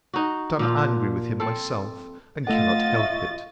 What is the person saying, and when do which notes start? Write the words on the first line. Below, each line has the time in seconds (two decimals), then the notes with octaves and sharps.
But I am angry with him myself, and cannot help it.
0.14 D#4 F#4
0.59 A#2 F3 F4
1.40 C4 A4
2.47 A3 F4 A4 D#5 F#5 A6
2.96 E5 C#6